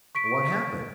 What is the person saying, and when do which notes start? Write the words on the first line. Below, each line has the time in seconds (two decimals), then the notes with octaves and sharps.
"What happened?"
0.15 C#6 B6 D7